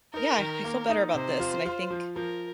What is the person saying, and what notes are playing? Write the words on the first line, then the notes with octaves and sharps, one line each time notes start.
yeah, I feel better about this, and I think
D#4 A#4
D#3
A#3
D#4
C3 C5
F4
F4
F3
F3 A#4